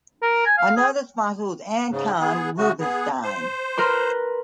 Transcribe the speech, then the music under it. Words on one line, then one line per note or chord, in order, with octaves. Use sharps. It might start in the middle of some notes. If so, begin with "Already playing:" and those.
Another sponsor was Anton Rubinstein.
A#4
G#5
F5
G#4
G#2 C#3
B3 G#4
C#3 A3 F#4
B3 G#4
C5
A#4 B4 C6